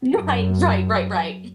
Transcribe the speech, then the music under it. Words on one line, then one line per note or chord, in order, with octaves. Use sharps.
Right, right, right, right.
F#2